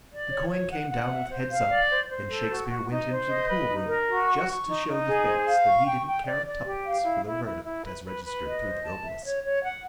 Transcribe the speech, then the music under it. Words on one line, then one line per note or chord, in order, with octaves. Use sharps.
The coin came down with heads up, and Shakespeare went into the pool-room, just to show the Fates that he didn't care a tuppence for their verdict as registered through the obolus.
D5
C#5
C#5
F#5
F#5
E5
C5
F5
D5
C5
C5
A4
F#4
F#4
D#4
C5
D#5
B4
D#4
A#4
F#4
C#6
C#6
D#4
D#4
G#4
C5
F5
C#6
G5
G5
D5
D5
G4
F5
E4
E4
E4
E4
B4
B4
B4
D#5
C5
A5
E5
C#5
C#5
F#5